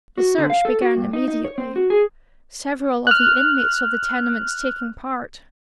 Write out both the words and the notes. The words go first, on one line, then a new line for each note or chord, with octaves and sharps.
The search began immediately, several of the inmates of the tenements taking part.
F#4
D3
F5
A4
F#4
G2
D#4
D#4
C#5
C4
F#4
G#4
F6 F#6